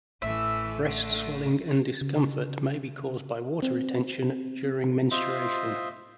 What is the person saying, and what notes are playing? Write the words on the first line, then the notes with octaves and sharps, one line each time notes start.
Breast swelling and discomfort may be caused by water retention during menstruation.
A1 E3 A3 E5
D3 A3
C#3
C4
F4 C5 D#5 E5